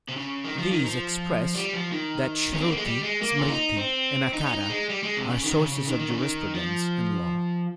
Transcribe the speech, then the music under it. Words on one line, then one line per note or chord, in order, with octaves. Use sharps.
These express that Shruti, Smriti and Acara are sources of jurisprudence and law.
C3
C#3
D#3
F3
D#3
F3
G3
F3
D#3
C#4
C4
A#3
G#3
G3
G#3
A#3
F4
D#4
C4
D#4
C#4
D#4
G#3
G3
G#3
C3
C#3
D#3
C#3
C#3
D#3
D#3
C#3
D#3
F3